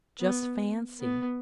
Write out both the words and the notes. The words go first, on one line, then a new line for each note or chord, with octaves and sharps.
Just fancy!
B3
B3